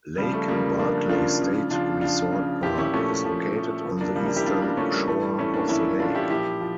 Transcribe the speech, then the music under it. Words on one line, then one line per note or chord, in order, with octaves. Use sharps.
Lake Barkley State Resort Park is located on the eastern shore of the lake.
C#3 F3 G3
A3
C#3 F3 G3 A#3
C#3 F3 A#3 D4
C#3 F3 D4 F4
C#3 F3
C#3 F3 D4 F4
C#3 F3 D4 F4
C#3 F3
A#2 F3 E4 G4
C#4 E4
A#2 F3 A3 C#4
A#2 F3
A#2 F3
C#3 F3
A#3 D4
C#3 F3 G3 A#3
G3 A#3
E4 G4
C#3 F3 D4 F4
A#3 D4
C#3 F3 A3 C#4
G3 A#3
A2 E3 A3
G3
A2 E3 A3 C#4
A#3 D4
A2 E3 C#4 E4
A2 E3 D4 F4
E4 G4
A#2 F3 E4 G4
F3